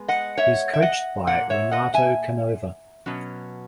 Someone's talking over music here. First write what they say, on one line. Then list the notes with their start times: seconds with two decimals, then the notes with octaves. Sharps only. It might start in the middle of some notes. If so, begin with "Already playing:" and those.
He is coached by Renato Canova.
Already playing: G#3 B3
0.08 D#5 F#5
0.38 C#5 E5
0.73 E5
0.82 D#5 F#5
1.27 A#2 A#3 F#5
1.50 C#5 E5
1.71 D#5 F#5
1.94 E5 G#5
3.06 B2 F#3 C#4